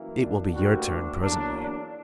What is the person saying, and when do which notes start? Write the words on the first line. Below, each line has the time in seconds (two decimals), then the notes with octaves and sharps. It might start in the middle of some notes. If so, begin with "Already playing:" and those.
"It will be your turn presently!"
Already playing: F#2 E3 A#3
0.18 D4
0.52 D2 D3 G3 A#3 D4 F#4
0.86 D4
1.21 E2 D3 F#3 A#3 D4
1.56 D4